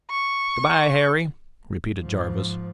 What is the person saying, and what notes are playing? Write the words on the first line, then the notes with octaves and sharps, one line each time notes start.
"Good-bye, Harry," repeated Jarvis.
C#6
G#2 F3